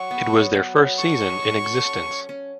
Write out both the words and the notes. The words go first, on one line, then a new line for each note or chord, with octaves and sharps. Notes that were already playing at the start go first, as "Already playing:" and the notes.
It was their first season in existence.
Already playing: F#3 F#4 C#6
B3
F#3
B3
F#3
A4 C#6
D#5
F#4
A4
C#4
C#4
C#4